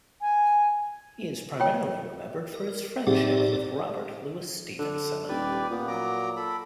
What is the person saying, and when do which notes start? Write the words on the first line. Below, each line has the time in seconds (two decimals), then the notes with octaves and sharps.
He is primarily remembered for his friendship with Robert Louis Stevenson.
0.21 G#5
1.60 F4 C#5 G5
2.54 A#4
3.07 A2 C3 D#4 G#4 D5
4.79 D3
5.29 D#1 G4 B4 D5
5.71 A#2 B3
5.88 F#3 A#5 D6
6.37 A4 B5